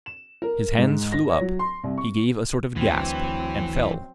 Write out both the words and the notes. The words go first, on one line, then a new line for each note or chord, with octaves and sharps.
His hands flew up, he gave a sort of gasp, and fell.
E7
A#4
G#2
A#6
C#5
F#3
C6
C2
C#6
D2 E3 F#3 C4